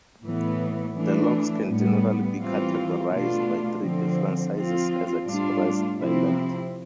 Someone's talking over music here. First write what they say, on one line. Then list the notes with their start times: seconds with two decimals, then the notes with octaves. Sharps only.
The locks can generally be categorized by three different sizes, as expressed by length.
0.23 A2 E3 B3
0.96 E3 A3 D4
1.67 A2 G3 B3
2.39 E3 G3 C4 F4
3.10 B2 A3 D4 F4
3.82 D3 F3 C4
4.55 F3 C4 F4
5.25 A2 G3 D4 F4
5.97 C3 F3 C4 E4